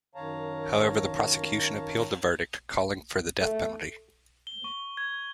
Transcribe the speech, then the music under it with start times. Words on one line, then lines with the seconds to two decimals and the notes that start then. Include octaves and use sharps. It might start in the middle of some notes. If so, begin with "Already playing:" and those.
However, the prosecution appealed the verdict, calling for the death penalty.
0.15 F#2 D#3 C#5 F5 A5 A#5
3.41 A3
4.47 G7
4.64 C#6
4.97 G#6